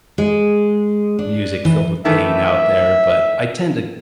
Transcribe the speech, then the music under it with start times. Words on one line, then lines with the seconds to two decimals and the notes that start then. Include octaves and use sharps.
music filled with pain out there, but I tend to
0.18 G#3
1.19 D4
1.65 E3
2.05 D#3 E3 A3 E5